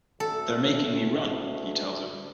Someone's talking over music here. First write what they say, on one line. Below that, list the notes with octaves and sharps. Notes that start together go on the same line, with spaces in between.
"They're making me run," he tells her.
D2 A4